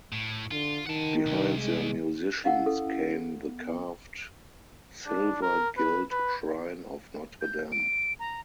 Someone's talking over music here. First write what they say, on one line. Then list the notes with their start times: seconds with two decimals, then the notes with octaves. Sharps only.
Behind the musicians came the carved silver-gilt shrine of Notre Dame.
0.12 A2
0.51 D3 F4
0.87 D#3 F#5 A5
1.26 C2
1.57 G#3
2.44 C#4 E4 D#5 F5 F#5
2.66 A4
3.47 B3
5.07 D4
5.42 A#4
5.77 B4
6.11 B4
7.41 G6
7.72 D7
8.19 A#5